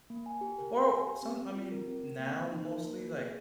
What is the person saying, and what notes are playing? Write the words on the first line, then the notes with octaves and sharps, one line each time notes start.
Oh! Some I mean, now mostly, like,
A#3
G#5
G4
A#4
F5
G#5
G4
C4
C4
F4
A#4
C4
C4
A#3
A#3
D#4
A#4
A#3
A#3
G#4